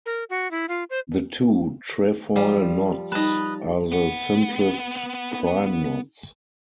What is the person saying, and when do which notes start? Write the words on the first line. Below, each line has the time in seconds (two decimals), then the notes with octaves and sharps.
The two trefoil knots are the simplest prime knots.
0.06 A#4
0.30 F#4
0.51 E4
0.68 F4
0.90 C5
2.36 F3 G3
3.12 G3 D#4 B4 D#5 A5 A#5
3.92 B3 F#5